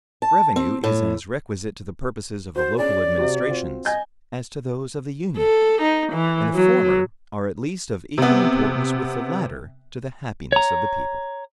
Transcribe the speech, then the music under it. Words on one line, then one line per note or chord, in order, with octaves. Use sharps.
Revenue is as requisite to the purposes of the local administrations as to those of the Union; and the former are at least of equal importance with the latter to the happiness of the people.
A5
C4
A2
F#4 C5
C#4 G#4 D5
C3 F#4 G4
C4 F4 F#4
D#5 G#5 G6 G#6
A4
D#4
E3
F#3
C3 B3
C#5 A#5